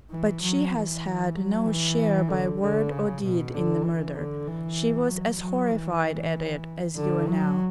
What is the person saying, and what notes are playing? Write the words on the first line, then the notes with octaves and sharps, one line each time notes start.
But she has had no share by word or deed in the murder; she was as horrified at it as you are now.
E3
F#3
E3
F#3
E3
D3
D3
C#3
B2
D3
E3
D3
E3
F#3
F#3
E3
D3
F#3